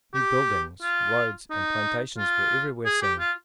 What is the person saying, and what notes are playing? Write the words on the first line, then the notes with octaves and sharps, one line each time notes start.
New buildings, roads, and plantations were everywhere seen.
G4
F4
D#4
F4
G#4
G4
F4